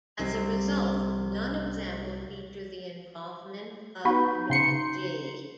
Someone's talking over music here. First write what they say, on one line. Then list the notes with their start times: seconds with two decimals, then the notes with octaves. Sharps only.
As a result, none of them will feature the involvement of McG.
0.19 C2 C4
4.05 B3 D#4 F#4 B4
4.50 C#3 C6 C#7